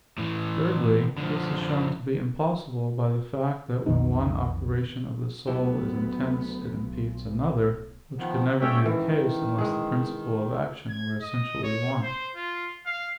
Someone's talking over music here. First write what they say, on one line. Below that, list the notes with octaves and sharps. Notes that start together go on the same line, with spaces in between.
Thirdly, this is shown to be impossible by the fact that when one operation of the soul is intense it impedes another, which could never be the case unless the principle of action were essentially one.
A2 E3
D3 F3
B1 F2 D#3 F#3 D#4
D2 F#3 B3 E4 G4
B1
D#3 F3 B3
G#2 C#4 C#5 D5 E5 G5
D#3 E3
G#3 G#4
G#6
D#5
C#5
C5
F4
F5